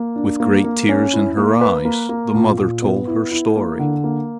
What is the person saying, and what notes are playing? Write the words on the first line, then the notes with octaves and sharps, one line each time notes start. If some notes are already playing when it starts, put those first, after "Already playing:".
With great tears in her eyes the mother told her story.
Already playing: A#3
D4
A#3
A#3
C#4
E4
A#3
B4
A#3
A#3
A#2
A#2
B3
E4
E4
A#3
D3
A#3